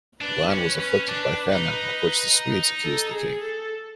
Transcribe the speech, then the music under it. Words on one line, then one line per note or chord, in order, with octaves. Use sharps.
The land was afflicted by famine of which the Swedes accused the king.
D4 B4
C#4
B4
C#4
D4 B4
D#4
A4
G#4
A4